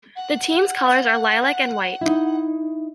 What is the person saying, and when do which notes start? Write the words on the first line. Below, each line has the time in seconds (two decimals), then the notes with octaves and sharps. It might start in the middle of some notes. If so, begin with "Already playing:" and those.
The team's colours are lilac and white.
0.16 F#5
2.01 D#4 E4